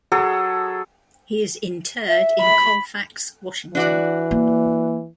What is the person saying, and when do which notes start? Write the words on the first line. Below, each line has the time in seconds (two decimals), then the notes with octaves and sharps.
He is interred in Colfax, Washington.
0.12 F#3 G#4 A4 D#6
2.08 E5
2.40 B5
3.75 E3 D4 F#4 D5
4.31 A#3